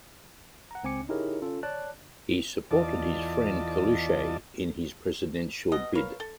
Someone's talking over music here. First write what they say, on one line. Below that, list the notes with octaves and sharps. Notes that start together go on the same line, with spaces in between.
He supported his friend Coluche in his presidential bid.
F#5 A#5
C#2 C4 G#5 D6 C#7
D#4 E4 G4 G#4 A#4 C#5
C#4 F4 A4
C#5 D5 A5 D6 F#6
E2 F4 D5 D#5 A5
B2 D#5
A#4 B4 C#5 F5
A4